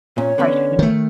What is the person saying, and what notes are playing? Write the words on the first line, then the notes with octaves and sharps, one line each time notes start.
Partridge Family.
A#2 C#4 C#5
D3 B3 C#4
D#3 A3